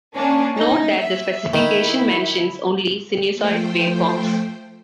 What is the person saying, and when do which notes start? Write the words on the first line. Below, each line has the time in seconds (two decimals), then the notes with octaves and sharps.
Note that the specification mentions only sinusoid waveforms.
0.14 A#3 C#4 D4
0.57 D#4
1.01 E5
1.54 D#3 E4
3.35 F3 A3 C5 G5